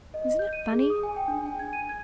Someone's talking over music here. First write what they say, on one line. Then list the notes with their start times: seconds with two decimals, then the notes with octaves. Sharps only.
Isn't it funny?
0.14 D#5
0.39 G6
0.53 D#7
0.72 G#4
0.90 D#6
1.03 G#5
1.16 G5
1.28 D4
1.46 G#5
1.59 G#6
1.73 D#7
1.89 G#6